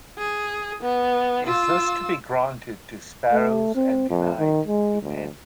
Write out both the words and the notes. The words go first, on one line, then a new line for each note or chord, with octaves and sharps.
Is this to be granted to sparrows and denied to men?
G#4
B3
F4 E6
A3
C4
F2
D#3
G#3
D2